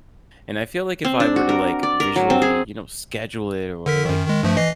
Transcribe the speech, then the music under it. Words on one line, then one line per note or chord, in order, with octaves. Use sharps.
And I feel, like, if I were to, like, visually, you know, schedule it or like,
C4
D4
F#4
A#4
D5
A#4
F#3
C4
G#4
D3 A#4 B6
F#2 D#3
D#3 G#3
G2 F3 A3
E3 D#5 C7